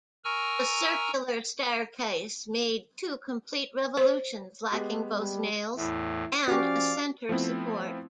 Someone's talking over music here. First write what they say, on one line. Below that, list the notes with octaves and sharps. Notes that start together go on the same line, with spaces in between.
The circular staircase made two complete revolutions lacking both nails and a center support.
A#4 G#5 A#5 C#6 E6 F6
C5
G#3 B3 G4
G3
E2 A2 E4
F3 C#4 F#4 G4 D5 F5
F3 A3 B3 C4 E4